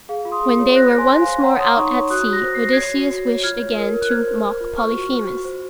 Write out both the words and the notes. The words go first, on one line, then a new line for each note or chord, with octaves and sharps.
When they were once more out at sea, Odysseus wished again to mock Polyphemus.
G#4 F5
F4
C6 D#6
G#4
C#5
C5 F#6 A#6
C5
G#5 C6
C5
F5 G#5
C5
C#5 F#5 A#5
C#5 C6 D#6
D#4 A#5 C#6
C#5
F#4 D#6 F#6
F#4
F#6 A#6
C5
C7
C5 A#6
C#5 G#6 C7
F#4
F#4
C#5
F4 F6 G#6
C#5
A#4
A#4
F#6
C5 F6 G#6
C5
C5
F4
C5 C#6 F6
F#4
C5
F#4
C5